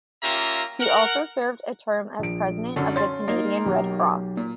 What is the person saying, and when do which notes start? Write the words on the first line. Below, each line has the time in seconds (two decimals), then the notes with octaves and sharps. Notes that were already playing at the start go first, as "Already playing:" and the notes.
He also served a term as president of the Canadian Red Cross.
0.23 A#3 C#4 F4 G4 E5 A#5
0.80 A#4 F#5
2.19 A#1 D7
2.76 F#2 D3
2.96 C#4 C6 A6
3.28 A#3 D#4 A#4
3.65 B1 G4
4.37 A#2